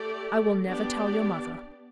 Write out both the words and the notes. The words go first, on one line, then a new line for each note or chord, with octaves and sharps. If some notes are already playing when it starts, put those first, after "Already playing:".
I will never tell your mother.
Already playing: A3 G4 D5
B3 D4 G4 D5